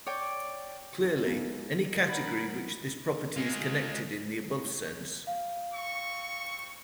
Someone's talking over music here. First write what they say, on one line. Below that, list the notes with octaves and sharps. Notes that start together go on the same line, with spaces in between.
Clearly, any category which this property is connected in the above sense.
C#5 D5 G5
G#3 A#3 B3 D#4
F#3 A#4 F#5 B5
G#3 F4
F5
C4 C#6